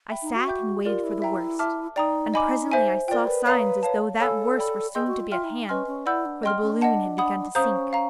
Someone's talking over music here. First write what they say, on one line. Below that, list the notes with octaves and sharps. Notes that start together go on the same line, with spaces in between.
I sat and waited for the worst, and presently I saw signs as though that worst were soon to be at hand, for the balloon had begun to sink.
E5 G5 B5
D#4
F#4
E5 G5 B5 D6 G6
F4 G4 A#4 D5
E4
E5 G5 A#5
E5 A5 D6 F6
D#4 D5 G5 A#5 D#6
D#5 G#5 B5 D6
C5 E5 G#5
F4 A#4 D5 G5
B4
B4 C#5 F5 A#5 D#6
C#5 F5 A5
A4 C#5 F5 G#5 B5 E6
D5 G5 B5
G#4 D#5 G5 C6 E6 G6
F#4
F4
F4 E5 G5 C6 F6
E4
D#4
C#4 B4 D#5 G#5 C6 F6
C#4
E4 D5 F#5 B5 E6 G6
D4
C#4 D#5 G5 C6 F6
C#4
D4
D#5 F#5 A5
F#5 B5 D#6
C#4 C5 F5 A#5 D#6 G6
F5 A#5